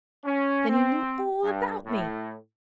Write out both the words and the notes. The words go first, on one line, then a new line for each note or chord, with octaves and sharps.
Then he knew all about me!
C#4
C4
G2
A2